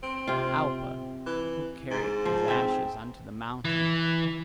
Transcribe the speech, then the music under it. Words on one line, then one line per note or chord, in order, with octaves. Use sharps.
Alpa! who carrieth his ashes unto the mountain?
C4
C3 F4
E3
G#2
F3
C4 E5
E3